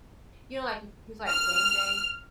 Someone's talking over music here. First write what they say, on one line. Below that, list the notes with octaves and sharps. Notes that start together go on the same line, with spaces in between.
you know, like, if it's, like, game day.
F6